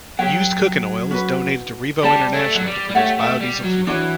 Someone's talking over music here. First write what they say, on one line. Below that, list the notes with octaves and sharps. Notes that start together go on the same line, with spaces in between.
Used cooking oil is donated to Revo International to produce biodiesel fuel.
F#3 G4 C#5 G5
C#4 F#4 B4
G3 G4 D5 A5
A3
F#3
G3
G3
A3 G4 C#5 F#5
A3
G3
F#3
E3 D4 F#4 C#5